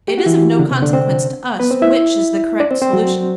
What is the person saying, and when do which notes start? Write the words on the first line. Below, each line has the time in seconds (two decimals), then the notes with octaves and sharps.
It is of no consequence to us which is the correct solution.
0.08 G4
0.18 F#4
0.26 E3 E4
0.59 D3 D4
0.71 C3 C4
0.82 D3 D4
0.93 C4 C5
1.60 B3 B4
1.71 C4 C5
1.82 E4 E5
2.60 D4 D5
2.71 C4 C5
2.82 C4 C5
2.93 F#3 F#4